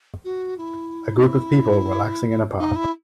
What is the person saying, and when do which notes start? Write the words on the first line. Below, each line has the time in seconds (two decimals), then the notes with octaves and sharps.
A group of people relaxing in a park.
0.24 F#4
0.57 E4
1.14 D#4
1.25 E4
2.59 D#4
2.75 E4